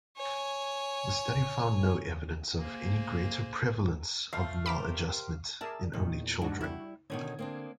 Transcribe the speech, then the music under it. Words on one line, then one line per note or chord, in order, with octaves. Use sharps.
The study found no evidence of any greater prevalence of maladjustment in only children.
C#5 G#5
A#3 G#4 C5
F3 A3 F5
G4 A#4 C5 B5 D6 B6
G#4 A#4 D5 E5 A5
E2 A#2 D#3
G#2 D4 F#4
G3 E4
B2 D3 D#3 C#4 D#6 G#6
A#3 C4 D4